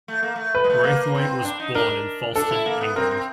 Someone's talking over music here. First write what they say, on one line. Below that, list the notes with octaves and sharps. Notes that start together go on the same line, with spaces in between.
Braithwaite was born in Folston, England.
A3
A#3
A3
B4
G#3
A3
A#3
C4
D4
D#4
D4 A#4
D4 A4
E4
A#3
B3
C4 A#4
C4